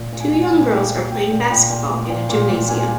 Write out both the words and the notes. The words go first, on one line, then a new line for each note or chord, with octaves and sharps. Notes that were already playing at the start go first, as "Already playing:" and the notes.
Two young girls are playing basketball in a gymnasium.
Already playing: A#2
A#2
G#5
A#2
G#5
A#2
A#2 G5
A#2
A#2 G5
A#2
A#2 G5
A#2
A#2
A#2
A#2
A#2
A#2 G#5